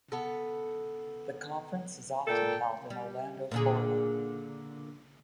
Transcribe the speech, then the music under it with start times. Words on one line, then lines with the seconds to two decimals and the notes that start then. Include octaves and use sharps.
The conference is often held in Orlando, Florida.
0.12 B3 A4
2.27 A#2 A4 G5
2.90 G3
3.51 A#2 D3 G#4